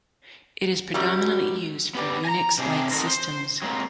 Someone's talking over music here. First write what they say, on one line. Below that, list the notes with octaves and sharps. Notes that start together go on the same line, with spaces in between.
It is predominantly used for Unix-like systems.
F#2 G3 F#4
B3 G4 D5
G#5 A#5
C3 C4 D4 G#4
C4 D#4 F#4 A4 A#4 C5
C5
F#3 G#3 A#3 C4 F4